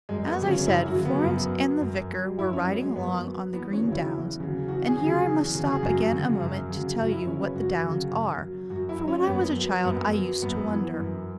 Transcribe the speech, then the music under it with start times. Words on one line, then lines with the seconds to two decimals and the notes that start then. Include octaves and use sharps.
As I said, Florence and the vicar were riding along on the green downs; and here I must stop again a moment to tell you what the downs are, for when I was a child I used to wonder.
0.09 F#2 G#3
0.28 B3
0.38 C#3 F#3
0.48 C#4
0.67 F#2 E4
0.86 F#4
0.95 C#3 F#3
1.05 B3
1.24 F#2
1.53 F#3
1.81 F#2
2.10 F#3
2.39 F#2 E4
2.53 C#4
2.67 F#3 B3
2.82 G#3
2.96 F#2 B3
3.25 F#3
3.53 E2 B3
3.73 C#4
3.82 C#3 F#3
3.92 E4
4.10 E2
4.40 C#3 F#3
4.68 E2 F#4
4.87 G#4
4.97 C#3 F#3
5.06 G#4
5.25 E2
5.55 C#3 F#3
5.72 G#4
5.83 F#2 F#4
6.12 C#3 F#3
6.40 F#2
6.69 C#3 F#3
6.98 F#2 F#4
7.12 E4
7.26 C#3 F#3 C#4
7.41 B4
7.55 F#2 F#4
7.84 C#3 F#3
8.12 F#2
8.41 F#3
8.70 F#2 F#4
8.89 E4
8.99 F#3
9.08 C#4
9.27 F#2 B3
9.56 F#3
9.85 F#2 B3
10.13 F#3
10.42 F#2 B3
10.71 E3
11.00 F#2